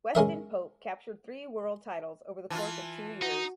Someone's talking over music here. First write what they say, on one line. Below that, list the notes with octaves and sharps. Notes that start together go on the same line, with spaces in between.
Weston Pope captured three world titles over the course of two years.
G#3 C#4 A#4 E5
E3 F4 A5
D#4 F#4